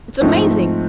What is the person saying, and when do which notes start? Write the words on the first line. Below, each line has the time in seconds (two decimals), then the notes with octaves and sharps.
It's amazing!
0.21 G#2 F3 A3 C4 D#4